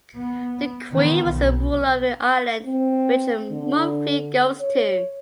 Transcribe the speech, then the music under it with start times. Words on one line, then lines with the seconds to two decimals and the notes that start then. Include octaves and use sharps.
The queen was the ruler of the island which Mumfie goes to.
0.16 B3
0.92 D#3 B3
1.27 B1
2.66 C4
3.51 D3
4.60 C#5